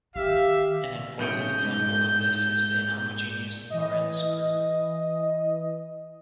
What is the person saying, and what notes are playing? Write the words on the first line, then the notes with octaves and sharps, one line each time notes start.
An important example of this is the inhomogeneous Lorentz group.
D#3 G4 E5 F5
B1 A2 C#3 G6
G#2
E3 D#5